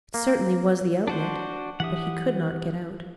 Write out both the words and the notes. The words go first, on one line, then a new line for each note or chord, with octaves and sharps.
It certainly was the outlet, but he could not get out.
A#3
D4 F#4 C5
E3 G4 E5 F#5 D#6